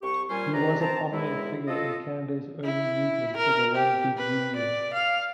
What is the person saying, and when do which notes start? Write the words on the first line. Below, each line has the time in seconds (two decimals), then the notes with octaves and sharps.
He was a prominent figure in Canada's early movement for the One Big Union.
0.02 C2 C3 G4 C#6
0.29 A#2 F3 G3 C#4 C5 G#5
0.53 C#2 C3 B4 D5 A#5
0.81 C4 A5 A#5
1.12 E2 F#3 G#3 E4
1.67 F4 A4 D#5
2.64 E4
3.36 A#4
3.75 G4
4.17 B4
4.56 D5
4.93 F5